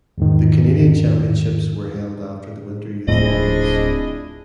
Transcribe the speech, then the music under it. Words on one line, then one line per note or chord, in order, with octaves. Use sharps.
The Canadian Championships were held after the Winter Youth Olympics.
E2 G#2 D#3
D1 F2 A2 A3 D4 E4 G#4 D#5